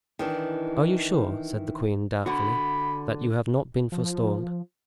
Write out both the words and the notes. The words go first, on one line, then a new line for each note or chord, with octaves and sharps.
"Are you sure," said the queen doubtfully, "that you have not been forestalled?"
D#3 E3 D4
D3 F#4 B5
F3